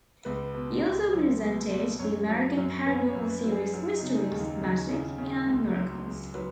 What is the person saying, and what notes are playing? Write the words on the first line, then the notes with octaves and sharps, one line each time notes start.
He also presented the American paranormal series Mysteries, Magic and Miracles.
C#2 B4
B2
C#2
F#3
B2
B2
F#2 C#5
F#3
F#2
F#2 B4
C#5
F#2
B4
F#3
G#4
F#3
D#4
C#3
D#4
D#2
D#4
C#3
C#3
C#3
C#2
F#3
C#2
F#3 B4